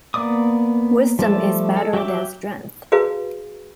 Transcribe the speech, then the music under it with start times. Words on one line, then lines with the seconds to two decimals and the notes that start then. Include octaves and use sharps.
Wisdom is better than strength.
0.14 A#3 B3 D5 D6 D#6
1.19 F3 G3 A3 A5
1.76 A4
1.93 F#3 G4 E5 G5 D6
2.92 F#4 G#4 B4 F5